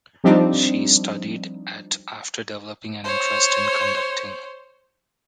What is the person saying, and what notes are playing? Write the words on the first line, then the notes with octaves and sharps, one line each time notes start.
She studied at after developing an interest in conducting.
F3 G3 C4 D4 D#4
C5 C#5